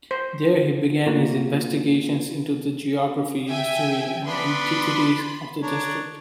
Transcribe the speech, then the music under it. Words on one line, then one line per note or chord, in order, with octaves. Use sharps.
There he began his investigations into the geography, history and antiquities of the district.
C5
A2 A#3 F4 F#4
E5 G5 G#5
B3 D4 B5 C6
D4 C#5 A#5